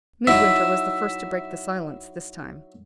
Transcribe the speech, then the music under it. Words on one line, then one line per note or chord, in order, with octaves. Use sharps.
Midwinter was the first to break the silence this time.
F#3 D#4 E4 E5